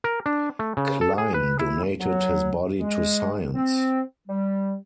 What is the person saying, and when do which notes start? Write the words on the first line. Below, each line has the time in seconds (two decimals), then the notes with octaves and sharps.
Klein donated his body to science.
0.04 A#4
0.26 D4
0.59 A3
0.77 C#3
1.01 A4
1.18 G#4
1.34 B4
1.59 E4
2.00 F#3
2.79 G#3
3.54 C4
4.28 G3